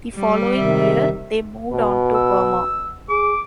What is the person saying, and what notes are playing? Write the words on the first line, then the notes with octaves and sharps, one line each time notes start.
The following year, they moved on to Burma.
G3
C3 D#3 E5
B2
E6
G#4 D6